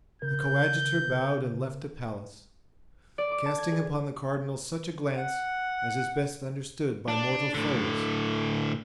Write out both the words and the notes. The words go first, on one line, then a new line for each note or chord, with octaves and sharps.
The coadjutor bowed and left the palace, casting upon the cardinal such a glance as is best understood by mortal foes.
C#3 A#4 G6
D5
D6
A5
G#6
G#4
F#5
D4
A2 D3